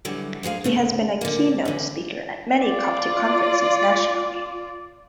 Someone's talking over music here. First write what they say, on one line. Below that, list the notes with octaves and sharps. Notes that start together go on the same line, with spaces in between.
He has been a keynote speaker at many Coptic Conferences nationally.
D3 E3 F#3 G3
D2 G#3 G#4 F5
D2 C#3 A3
D3 A#3
D3 E3
F4 D5